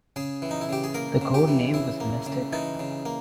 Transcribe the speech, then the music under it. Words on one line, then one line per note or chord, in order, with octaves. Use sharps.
The code name was Mystic.
C#3 G#4
E3
D#4
E4
C#3 G4
G#4
A#3 A#4
C#3
G4
E3
C#3 E4
A#3
C#3
E3 D#4
C#3
A#3